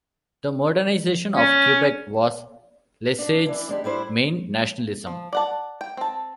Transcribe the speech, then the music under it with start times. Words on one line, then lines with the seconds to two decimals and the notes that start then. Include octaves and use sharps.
The modernization of Quebec was Lesage's main nationalism.
1.35 C#4
3.19 D4 A5
3.46 E3 D4 E4
3.69 G#3 D4 G4
3.84 G3 D4 E4 C5
5.07 F3
5.33 D5 F#5 A5
5.81 G5
5.97 C4 A5